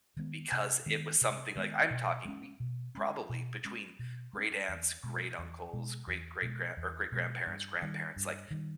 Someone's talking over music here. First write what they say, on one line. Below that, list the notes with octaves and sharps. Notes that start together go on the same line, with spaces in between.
because it was something, like, I'm talking, we probably, between great-aunts, great-uncles, great-great-grand or great-grandparents, grandparents, like,
D#3 G#3 B3
C3
D#3 G#3 B3
C3
D#3 G#3 B3
B2
G#3 C#4
B2
G#3 C#4
B2
G#3 C#4
B2
G#3 C#4
E2
B2 G#3
E2
B2 G#3
E2
B2 G#3
E2
B2 G#3
G2
D#3 G3
G2
D#3 G3